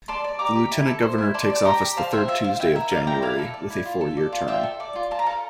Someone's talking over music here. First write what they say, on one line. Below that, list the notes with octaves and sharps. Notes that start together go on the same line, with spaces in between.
The Lieutenant Governor takes office the third Tuesday of January with a four-year term.
D5 A5 C6
D5
G4 A#5 D6
G4
E4
A4
C5
E4
D5 A5 C6
D5
A5
G4 G5 A#5
G4
C5 F5 A5
C5 E5 G5
F4 E5
F4 F5
E4 E5 G5
A#4 E5
D5 F5
E4 G5 A#5
E4 F5
A4
D5
E4
F4
A4
D5
F4
F4 E5 G5
A4
D5
F4
F4 A5
A#5
A4 F5 A5